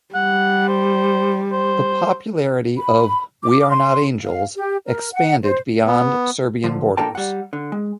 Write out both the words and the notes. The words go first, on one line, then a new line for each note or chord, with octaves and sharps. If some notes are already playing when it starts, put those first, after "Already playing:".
The popularity of "We Are Not Angels" expanded beyond Serbian borders.
G3 F#5
C5
C5
B5
D6
C6
F5
G4
A#4
F#5
C5
B3
D3 F3
A#3 D4 A4 A#4 G5 A5
G3 F#5
D3
G#3